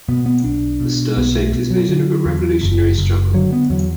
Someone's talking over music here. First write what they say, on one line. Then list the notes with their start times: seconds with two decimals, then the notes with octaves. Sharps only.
The stir shaped his vision of a revolutionary struggle.
0.08 B2 B3
0.26 B3
0.44 B1 D4
0.80 B2
1.17 B1 B3
1.35 A3
1.52 B2
1.71 F#3
1.89 D3
2.25 E2
2.61 F#1
2.98 F#1
3.33 D3 F#3
3.52 B3
3.70 E2 F#3